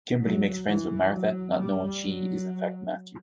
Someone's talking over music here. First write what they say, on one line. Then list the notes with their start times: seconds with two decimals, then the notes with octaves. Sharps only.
Kimberly makes friends with Martha, not knowing "she" is in fact Matthew.
0.20 F#3
0.65 E3
1.10 F#3
1.56 G3
2.02 F#3